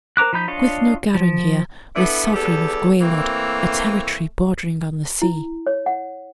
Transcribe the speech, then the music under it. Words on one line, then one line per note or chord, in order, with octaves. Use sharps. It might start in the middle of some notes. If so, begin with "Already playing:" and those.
Gwyddno Garanhir was sovereign of Gwaelod, a territory bordering on the sea.
A#4 C5 A#5 D6 F#6
F3 D#4 B5 G6
D4 F4 C#5 D#5
F3
B3 D4 E4 A4
E2 G3 G4 A4
E3 A3 A#3 C4
E4
C#5
F#5